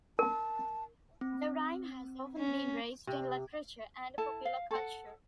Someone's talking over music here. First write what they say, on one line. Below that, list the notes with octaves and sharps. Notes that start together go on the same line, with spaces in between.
The rhyme has often been raised in literature and popular culture.
A#4 A5
C4
C#4
C3
E4 A4 A5
F5
A4 F#5